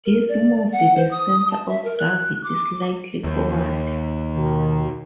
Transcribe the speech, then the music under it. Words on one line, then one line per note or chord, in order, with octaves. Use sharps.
This moved the center of gravity slightly forward.
A#4
D5
F#5
C5
D#6
A5
E5
A#4
F#6
D6
D#2
B2 D#3